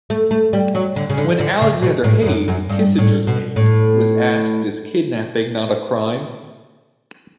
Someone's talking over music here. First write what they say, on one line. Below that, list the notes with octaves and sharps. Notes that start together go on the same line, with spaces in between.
When Alexander Haig, Kissinger's aide, was asked is kidnapping not a crime?
A3
A3
G3
F#3
D3
C#3
D3
D3
C#3
B2
A2
E2
F#2
F#2
G2
A2
B2
A2